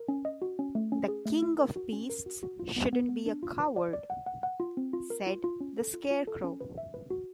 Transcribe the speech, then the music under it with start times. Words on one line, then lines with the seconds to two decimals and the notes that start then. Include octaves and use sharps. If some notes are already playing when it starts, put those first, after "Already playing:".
"The King of Beasts shouldn't be a coward," said the Scarecrow.
Already playing: A#4
0.08 C#4
0.25 D#5
0.42 F#4
0.59 C#4
0.75 A3
0.92 C#4
1.08 G#4
1.26 A3
1.42 E4
1.59 A#4
1.76 F#4
1.93 C#4
2.10 A#4
2.26 F#4
2.43 F#4
2.59 F4
2.76 B3
2.93 B3
3.09 B3
3.26 D4
3.43 F4
3.60 B4
3.76 D5
3.93 D5
4.10 F#5
4.26 F#5
4.43 F#5
4.60 F4
4.77 C4
4.93 F4
5.10 A#4
5.27 F4
5.44 F4
5.61 C#4
5.77 A4
5.94 F4
6.11 F4
6.27 A4
6.44 C#4
6.61 B4
6.78 E5
6.94 B4
7.10 F#4